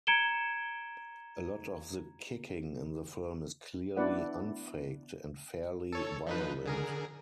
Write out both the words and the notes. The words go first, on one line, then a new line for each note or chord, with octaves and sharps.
A lot of the kicking in the film is clearly unfaked and fairly violent.
A#5 G#6 C#7 D7 E7 G7
B3 D4 E4 B4 D5 F#5
A4 C#5
F3 D#4 B4
D3 G#4 A#4